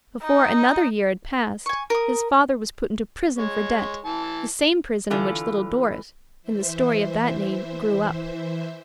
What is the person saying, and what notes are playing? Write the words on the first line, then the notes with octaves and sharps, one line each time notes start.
Before another year had passed, his father was put into prison for debt--the same prison in which Little Dorrit, in the story of that name, grew up.
D#4
G#5 C#6
A#4 D#6
G#3 C#5
E3 A5
D3 E3 F4 A4
E3 C5 E5